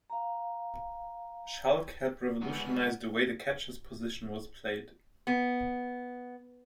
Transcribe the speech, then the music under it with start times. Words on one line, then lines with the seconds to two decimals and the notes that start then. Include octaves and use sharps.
Schalk helped revolutionize the way the catcher's position was played.
0.10 F5 A#5
2.41 G#2 B3
5.27 B3